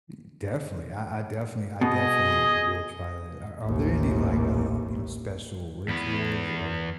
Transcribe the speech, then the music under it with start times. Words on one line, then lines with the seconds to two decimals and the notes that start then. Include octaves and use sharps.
i definitely. I I definitely I definitely will try that. Are are there any, like, uh, you know, special rituals or
1.81 B2 G#4 D#5
3.65 A1 D#2
5.88 E2 B3